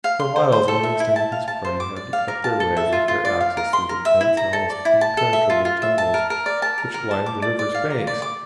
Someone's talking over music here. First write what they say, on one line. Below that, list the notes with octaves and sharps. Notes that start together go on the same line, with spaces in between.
For miles Livingstone and his party had to cut their way with their axes through the dense and almost impenetrable jungles which lined the river's banks.
F5
C6
C5
C5
A4
E5
E4
A5
F5
A5
C5
D6
D5
F5
A#4
A5
A4
E5
F4
F4
D5
F5
A#4
C6
A#4
E5
E4
A#5
A4
D5
E4
A5
A4
E5
F4
F4
E5
A5
A#4
A#4
D5
A5
A#4
A#4
A5
D6
D5
D5
F5
A#5
D5
D6